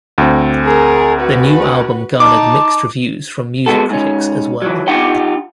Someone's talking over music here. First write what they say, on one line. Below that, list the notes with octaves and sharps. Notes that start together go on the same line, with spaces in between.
The new album garnered mixed reviews from music critics as well.
D2 C4
G#4 A#4
F#4 B4
D#4 A5 D6
G#3 A#3 B3 F#4 A4
G#2 C#4
E3 F#3
D4 D#4 F4 G4 F#5 G5